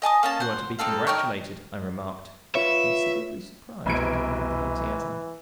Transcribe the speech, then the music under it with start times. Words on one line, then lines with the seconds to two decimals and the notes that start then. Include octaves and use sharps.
"You are to be congratulated," I remarked, considerably surprised at his enthusiasm.
0.02 D#5 G#5 A5 D#6
0.23 A#3 C#4 A5
0.40 C5 F#5
0.79 C4 D#4 A4 F5
1.07 D#4 G4 A#4 C#5
2.55 F4 B4 C#5 E5
3.86 F1 C2 B2 E3 G#6 D7